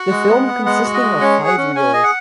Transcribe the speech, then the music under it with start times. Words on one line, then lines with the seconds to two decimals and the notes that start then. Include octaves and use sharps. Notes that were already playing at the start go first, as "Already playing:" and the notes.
The film consisting of five reels.
Already playing: F#4 F#5
0.10 G#3
0.29 B3
0.48 B3
0.65 G#3 F#5
0.85 F#4
0.94 D#5
1.02 G#3
1.21 C#4 C#5
1.39 G#4
1.47 F#5
1.58 C#4
1.76 C#4 G#5
1.93 G#4 D#5
2.03 F#5